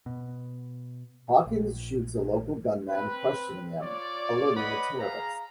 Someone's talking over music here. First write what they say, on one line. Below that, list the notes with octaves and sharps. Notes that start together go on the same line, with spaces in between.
Hawkins shoots a local gunman questioning him, alerting the terrorists.
B2
A#1
C4 B4
F4 C#5 D5
B4 C#5 D#5 F#5 B5
G#4 F5 A#5